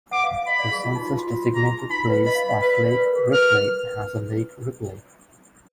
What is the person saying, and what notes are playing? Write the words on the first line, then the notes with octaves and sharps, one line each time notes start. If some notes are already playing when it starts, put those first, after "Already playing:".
The census-designated place of Lake Ripley has a Lake Ripley.
F#5 D6
F5
F5
D#5 B5
D5
G#4
F4
D#4
F#4
F4
F#4
F4
F#4
G#4 A#5
F#4
D#4
D#4 B5
B4
D#5 B5
F5
D#5
D5
B4 B5
A#4
D5
B4
A#4
G#4
A#4
B4 F6